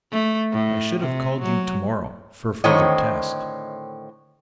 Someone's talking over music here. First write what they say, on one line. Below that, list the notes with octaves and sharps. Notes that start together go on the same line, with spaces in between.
I should have called you to-morrow, for further test.
A3
A2
C3
F#3
A2 D3 D#3 C4 C#5 D#5